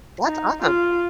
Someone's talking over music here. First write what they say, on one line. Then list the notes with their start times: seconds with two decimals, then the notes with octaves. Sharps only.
That's awesome.
0.25 D#4
0.62 F4